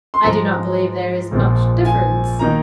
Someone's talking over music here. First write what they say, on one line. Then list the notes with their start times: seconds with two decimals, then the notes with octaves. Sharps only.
"I do not believe there is much difference."
0.14 C6
0.23 G#2 F3 G#3 A#5
1.31 A#1 A#2 F3 G#3
1.85 G#5
2.39 D#3 A#3 D#4 A#5